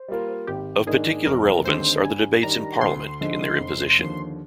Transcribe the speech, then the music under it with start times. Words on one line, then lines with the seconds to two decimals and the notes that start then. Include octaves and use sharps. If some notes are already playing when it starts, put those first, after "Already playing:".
Of particular relevance are the debates in Parliament in their imposition.
Already playing: C5
0.08 G3 A#3 F4 A#4
0.47 G#1 G4
0.86 G#2 D#3 A#3 D4 G#4
1.26 F1 A#4
1.64 D#2 D3 G#3 C4 C5
2.04 G2 G#5
2.43 D#3 G3 D4 A#5
2.81 D2 C6
3.21 D3 F3 G#3 D#4
3.60 F1
3.99 D#2 D3 F3